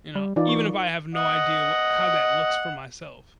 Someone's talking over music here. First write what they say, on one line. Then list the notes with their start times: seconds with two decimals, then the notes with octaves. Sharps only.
You know, even if I have no idea wha how that looks for myself.
0.15 G3
0.36 E3 D#4 F4 D5
0.49 A#4 C#6
1.15 D#5 F#5